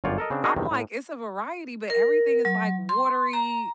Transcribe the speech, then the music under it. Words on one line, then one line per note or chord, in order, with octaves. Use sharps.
I'm like, "It's a variety, but everything is, like, watery,
G1 F#2 F4 C#5 D5 G5
A4 A#4 D#5
C#3 C4 D4
D4 D#4 F#4 G#4 A#4 D#5
E2 G2 C3 D#3
A2
A#4
F#3
C6
A#5